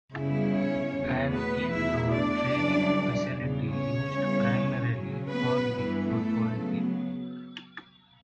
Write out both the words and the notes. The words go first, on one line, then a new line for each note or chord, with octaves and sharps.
An indoor training facility used primarily for the football team.
F#2 C#3 G3 B3 E4
C#4 C#5
E2 B2 A3
B3 B4
E2 B2 A3 E4 E5
D4 D5
F#2 C#3 E3 G3 B3
E2 C#3 G3 B3
C#4 C#5
C#3 E3 G3 B3
C#3 F#3 C#4
B3 B4
G2 E3 B3 E4
A3 A4
C#3 F#3 B3